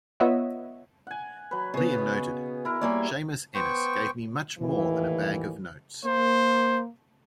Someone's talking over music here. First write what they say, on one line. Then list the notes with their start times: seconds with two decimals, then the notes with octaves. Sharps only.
Liam noted: Seamus Ennis gave me much more than a bag of notes.
0.20 B3 F4 C#5 D#5 E5 F#5
1.07 F#5 G#5
1.51 F#3 B4
1.74 C#3 B3 G#4 C#6
1.98 B2
2.65 E4 A#4
2.81 G3 A#3 C#5 D5 G#5 D6
3.55 B3 C5 G5 C#6
4.58 D#2 A2 E3
6.05 A#3 C5